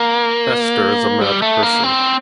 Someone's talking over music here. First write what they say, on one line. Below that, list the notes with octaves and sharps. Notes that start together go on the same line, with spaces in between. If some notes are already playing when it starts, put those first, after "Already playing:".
Esther is a mad person.
Already playing: A#3
G3
A3
A#3
C4